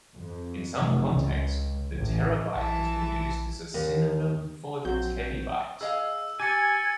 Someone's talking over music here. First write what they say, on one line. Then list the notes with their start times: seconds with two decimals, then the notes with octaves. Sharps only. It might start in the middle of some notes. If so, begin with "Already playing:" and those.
In some contexts, the terabyte has been used as a synonym for tebibyte.
0.16 F2
0.79 F1
1.15 C#2
1.91 A1
2.55 A#1 E3 E5 A5
3.74 D#2
4.85 A#1 F#3 C4 F#4 G6
5.81 G#4 D#5 F5 E6
6.40 G4 G#5 E6 G#6 A6 C#7